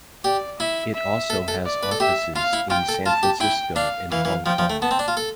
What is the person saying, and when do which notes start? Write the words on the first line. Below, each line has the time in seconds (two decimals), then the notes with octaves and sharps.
It also has offices in San Francisco and Hong Kong.
0.24 G4 D5
0.59 E4 E5
0.94 E5
1.30 A4
1.48 A4
1.65 D5
1.83 B4
1.91 A4
2.00 G4 E5
2.35 F4 F5
2.53 E4
2.70 F4 G5
2.89 A4
3.05 F4 A5
3.23 G4
3.41 E4 G5
3.76 D4 F5
4.11 E3 F5
4.25 E3
4.46 F3 G5
4.59 F3
4.70 A3
4.82 B3 A5
4.91 C4
4.99 D4
5.08 F4
5.17 A4